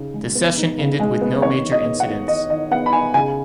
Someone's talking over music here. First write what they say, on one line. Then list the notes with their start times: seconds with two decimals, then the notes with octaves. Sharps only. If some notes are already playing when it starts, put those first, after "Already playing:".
The session ended with no major incidents.
Already playing: C#3 D#4
0.14 G#3
0.35 B3
0.57 D#4
0.78 C#3
1.00 G#3
1.21 B3
1.42 D#3 C#5
1.65 D#3
1.72 D#5
1.86 B3
2.00 F#5
2.07 D#4
2.28 D#3 D#5
2.50 D#3 D#5
2.71 B3 F#5
2.86 B5
2.93 D#4 G#5
3.14 C#3 G#5